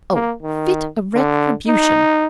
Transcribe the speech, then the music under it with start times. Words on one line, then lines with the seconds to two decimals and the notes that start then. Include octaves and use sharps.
Oh, fit retribution!
0.13 A#3
0.42 D#3
1.14 D3
1.68 D#4